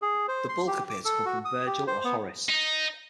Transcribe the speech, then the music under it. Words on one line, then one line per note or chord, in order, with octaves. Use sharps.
The bulk appear to come from Vergil or Horace.
G#4
C5
C6
G4
D6
A4
F#4
D#6
G4
C5
B3
D#4